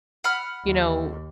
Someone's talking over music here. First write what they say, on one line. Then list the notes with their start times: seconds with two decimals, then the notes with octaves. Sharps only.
you know,
0.24 F#5 B5 F6
0.64 D#2